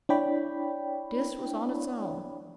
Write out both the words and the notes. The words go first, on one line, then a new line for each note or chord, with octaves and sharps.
Dis was on its own.
D4 E4 C#5 D5 G5 B5